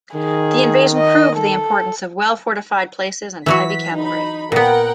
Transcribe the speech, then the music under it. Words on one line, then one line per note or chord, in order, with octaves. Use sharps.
The invasion proved the importance of well-fortified places and heavy cavalry.
D#3 G#4
D#5
A4
E3 F#3 F#4 B6
D#4 B5
A#2 B3 A#4 F#5 G5